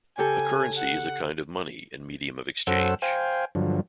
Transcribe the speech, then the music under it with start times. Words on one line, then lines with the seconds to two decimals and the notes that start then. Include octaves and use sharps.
A currency is a kind of money and medium of exchange.
0.18 C#3 G4 A4 G#5
0.78 F#5
2.67 F#2 C#4 A4 C5 F#5 E6
3.02 C5 F5 G5 G#5
3.55 G2 D3 F3 F#3